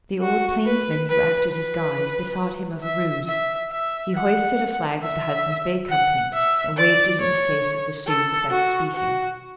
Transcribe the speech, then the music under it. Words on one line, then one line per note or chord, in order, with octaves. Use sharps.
The old plainsman who acted as guide bethought him of a ruse: he hoisted a flag of the Hudson's Bay Company and waved it in the face of the Sioux without speaking.
F#4
B4
B4
B4
E5
E5
E5
F#5
E5
F#5
E5
D5
C#5
A4
F#4
F#4